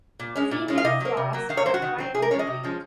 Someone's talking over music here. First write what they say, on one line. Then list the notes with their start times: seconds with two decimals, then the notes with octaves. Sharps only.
Female flowers are tri-ovulate.
0.19 A#2
0.35 G#3 C#4
0.51 A#2
0.68 G#3 C#4
0.78 F5
0.84 C3 D#5
1.00 F#3 A#3
1.17 C3
1.33 F#3 A#3
1.49 D#3 F5
1.57 C#5
1.66 F#3 C4 C5
1.74 F#4
1.82 D#3
1.98 F#3 C4
2.15 C3 G#4
2.22 A#4
2.31 F3 G#3 C#4 C#5
2.39 D#5
2.47 C3
2.63 F3 G#3 C#4